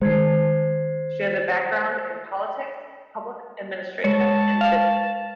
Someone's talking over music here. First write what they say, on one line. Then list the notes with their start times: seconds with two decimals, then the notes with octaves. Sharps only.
She has a background in politics, public administration and business.
0.01 D#3 G#3 C5 G#6 C7
4.04 G#3 C#5 A5 C#6
4.61 F5